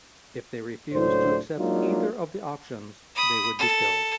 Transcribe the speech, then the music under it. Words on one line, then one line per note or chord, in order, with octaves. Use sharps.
If they refused to accept either of the options they would be killed.
C#2 A2 F#3 A3 D4 C5
F#3 G#3 A#3 D4 D#4 F4
B5 D#6
A4